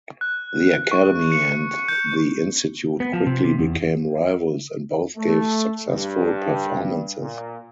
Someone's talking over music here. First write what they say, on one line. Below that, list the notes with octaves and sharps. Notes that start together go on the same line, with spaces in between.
The Academy and the Institute quickly became rivals, and both gave successful performances.
F#6
C#6
C#7
G6
B3
F3
C3
C3
E2
A3
G2
A#2